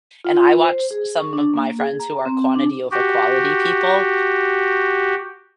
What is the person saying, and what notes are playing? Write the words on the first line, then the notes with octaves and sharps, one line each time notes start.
and I watched some of my friends who are quantity over quality people,
F4
C5
G#4
C#6
D4
A#3
G#4
A#5
C4
D4
F#4 G4